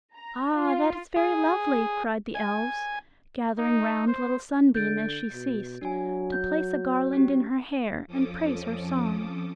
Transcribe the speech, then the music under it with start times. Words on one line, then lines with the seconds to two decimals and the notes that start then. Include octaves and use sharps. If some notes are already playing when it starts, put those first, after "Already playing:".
"Ah, that is very lovely," cried the Elves, gathering round little Sunbeam as she ceased, to place a garland in her hair and praise her song.
0.14 A#5
0.55 F4
1.16 G#4
2.35 G#5
3.58 D#4
4.07 C5
4.75 D3 G6 A6 D7
5.33 B2
5.81 F#3 D4 G#5
6.32 G6
7.13 C#4 G4
8.07 F2 F3 C#4 A4 D6 D#6